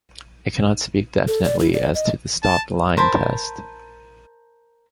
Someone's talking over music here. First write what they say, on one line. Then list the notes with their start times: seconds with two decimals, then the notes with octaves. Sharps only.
I cannot speak definitely as to the stopped-line test.
1.28 A4
1.44 D5
1.59 E4
1.73 D5
1.94 D#5
2.43 A5
2.97 A#4 C5 A5 B5